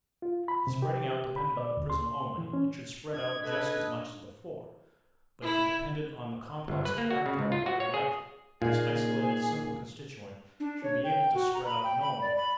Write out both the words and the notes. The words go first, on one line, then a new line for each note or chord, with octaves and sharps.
If the spreading out depended on the prism only it should spread out just as much as before, but if it depended on the complex character of white light, this isolated simple constituent should be able to spread out no more.
F4
B5
C3
G4
B5
D5
D2
C6
E3
C#4
D4 F#4 D#5 G#6
A4 B4 D#5
E4
G1
B4
A#3
F#4
C#3
C#2
F4
F#4
C#5
G#4
A#2 A#3 D#4 F4 G#4
D4
C#5
G5
F#4
A#5
B5
G5
B5
D5
B5